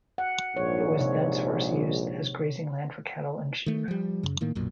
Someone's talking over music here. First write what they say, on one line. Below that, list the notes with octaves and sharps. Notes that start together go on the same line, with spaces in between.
It was thenceforth used as grazing land for cattle and sheep.
F#5
A#1 G#2 C#5
C3 C#5
D#3 A3
F3 G3
F#2 C#3
A2 D#3 A#3
B1 F#2 A#2